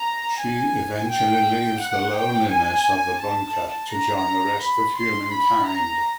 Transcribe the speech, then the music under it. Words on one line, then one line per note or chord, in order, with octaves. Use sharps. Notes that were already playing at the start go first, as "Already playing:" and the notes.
She eventually leaves the loneliness of the bunker to join the rest of humankind.
Already playing: A#5
G#5
G5
F#5
G5
G#5
A5
A#5
B5
C6
B5
A#5